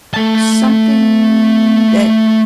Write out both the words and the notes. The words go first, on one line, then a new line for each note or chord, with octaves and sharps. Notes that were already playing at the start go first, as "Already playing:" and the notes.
something that
A3 A5